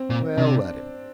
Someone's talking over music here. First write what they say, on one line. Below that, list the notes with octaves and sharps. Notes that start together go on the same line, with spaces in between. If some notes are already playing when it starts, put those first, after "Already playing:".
"Well, let him."
Already playing: C4
A#2
C3 D4